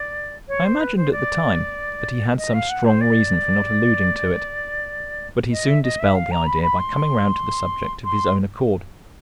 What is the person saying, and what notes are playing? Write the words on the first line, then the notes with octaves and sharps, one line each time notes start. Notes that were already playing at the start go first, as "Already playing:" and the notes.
I imagined at the time that he had some strong reason for not alluding to it, but he soon dispelled the idea by coming round to the subject of his own accord.
Already playing: D5
C#5
C5
B4
C5
D5
D#5
F5
F#5
C5
D5
D#5
E5
D#5
E5
F5
A#5
B5
B5
C6
C6